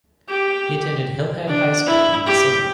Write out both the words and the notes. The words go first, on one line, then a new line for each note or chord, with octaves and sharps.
He attended Hillhead High School in the city.
G4
D4
E4
G4